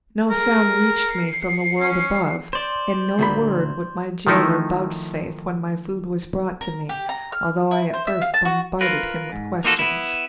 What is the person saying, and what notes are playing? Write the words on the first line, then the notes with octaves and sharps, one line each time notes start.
No sound reached me from the world above and no word would my jailer vouchsafe when my food was brought to me, although I at first bombarded him with questions.
G#4 A#4
C7 C#7
C#4
C5 D5
D2 A#2 B5
D#3 F3 A3 D#4 E4
A#4
G4
A#5
F6
E4
C5
E5
F5
A5
F#4
F4 A#4 B4
G#2
A#3 D#4 F4 F#4 A4
B3 E4